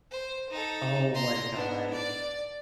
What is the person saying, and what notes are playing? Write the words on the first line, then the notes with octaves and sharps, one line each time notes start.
Oh my gosh.
C5
D#4 A4
A#5 C6
B3 D4
D5